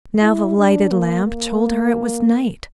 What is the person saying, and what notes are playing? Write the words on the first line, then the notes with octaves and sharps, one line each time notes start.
Now the lighted lamp told her it was night.
E4
D4
A#3
A#3